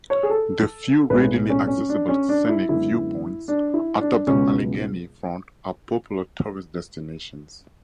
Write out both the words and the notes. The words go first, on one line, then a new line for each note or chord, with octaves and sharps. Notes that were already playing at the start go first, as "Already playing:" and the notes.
The few readily accessible scenic viewpoints atop the Allegheny Front are popular tourist destinations.
C#5
G#4
A4
B1 A2 G#3 B3 B4
C#4
C#4
D4
C#4
D4
E4
F#2 D3 G#3 B3 E4
D4
E4
D4
C#2 B2 G#3 B3 C#4